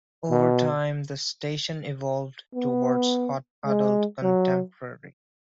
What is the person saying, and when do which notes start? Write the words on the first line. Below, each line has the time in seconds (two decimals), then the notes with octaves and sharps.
Over time, the station evolved towards hot adult contemporary.
0.31 B2
2.54 B3
3.66 G#3
4.22 F#3